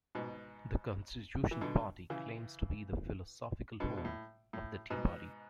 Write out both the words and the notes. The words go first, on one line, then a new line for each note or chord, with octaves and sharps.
The Constitution Party claims to be the "philosophical home" of the Tea Party.
G#2 B2
E3
B2 D3
C#3 E3
B2 D3
B2
A2
A2
G#2 B2